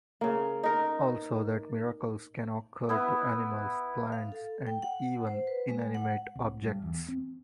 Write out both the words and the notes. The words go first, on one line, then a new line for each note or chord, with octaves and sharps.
Also that miracles can occur to animals, plants, and even inanimate objects.
C#3 A#3
D#4 A#4
B3 E4 B4
F5
A4
G5
F#5
C5
B4
G#3
F#5
C2
G2
E2
C4